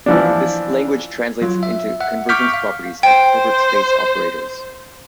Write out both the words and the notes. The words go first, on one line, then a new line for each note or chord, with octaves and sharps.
This language translates into convergence properties of Hilbert space operators.
E3 F3 D4
F#3 F4
E5
E5 F#5
C#6 D6 F6 G6 B6
F5
C5 G5